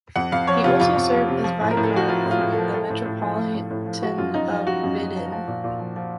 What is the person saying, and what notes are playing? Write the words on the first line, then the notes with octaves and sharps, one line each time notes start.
He also served as vicar for the Metropolitan of Vidin.
F2 F#5
F2 F5
F3 C#5
C3 F4
F2 F4
F2
F3
C3
F3
A2
A#4
A2
A4
F3 F#4
F3 F4
A2
F4
A2
A4
F3
F3 A4
A2
A2
F3
F3
A2
A2
F3
F3 F#4
F#2 F4
F#2 D#4
F3 F4
F3 F#4
F#2
F#2
F3
F3
A#2
A#2
F3
F3